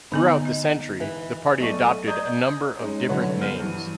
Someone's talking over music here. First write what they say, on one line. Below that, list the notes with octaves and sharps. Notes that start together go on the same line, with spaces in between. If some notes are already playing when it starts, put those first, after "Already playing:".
Throughout the century, the Party adopted a number of different names.
D3 B3 D#4 G#5
D#5
E3
B1 A3 D5 C#6 D#7
D5 D#5 A#5 D#6 G6 G#6
G#3 C#4 D#4
F#2 D3 F#4 B4 C#5
B3 C5 F6 D#7
G2 E3